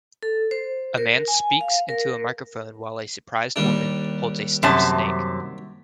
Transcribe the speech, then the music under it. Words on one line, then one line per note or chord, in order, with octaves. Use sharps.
A man speaks into a microphone while a surprised woman holds a stuffed snake.
A4
C5
A#4
G#5
F5
A#4
D#2 G3 D4
F#2 C3 A5